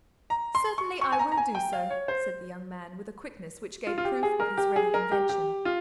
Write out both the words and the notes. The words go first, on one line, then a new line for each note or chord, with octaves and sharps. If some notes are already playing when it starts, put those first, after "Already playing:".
"Certainly, I will do so," said the young man, with a quickness which gave proof of his ready invention.
A#5
C6
C#6
C#6
G#5
A#5
A#5
G#5
G5
F5
C#5
C5
F4
F4
G4
G#4
A#4
G4
G#4
A#4
G4
G4
F4